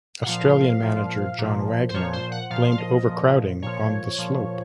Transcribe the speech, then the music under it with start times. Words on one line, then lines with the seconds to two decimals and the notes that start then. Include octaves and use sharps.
Australian manager John Wagner blamed overcrowding on the slope.
0.22 F#5
0.26 A#2 F3 F5
0.82 A#2 F3
1.38 A#2 F3
1.89 C5
1.94 A#2 F3 C#5
2.13 C5
2.32 F#5
2.50 A#2 F3 F5
2.72 F5
2.78 D#5
3.06 A#2 F3
3.62 A#2 F3 C#5
4.18 A#2 F3